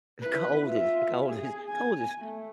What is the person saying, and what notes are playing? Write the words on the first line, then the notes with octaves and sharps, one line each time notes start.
And cold is cold is cold is
E4 B4
F4 E5
G#4
G#5
A3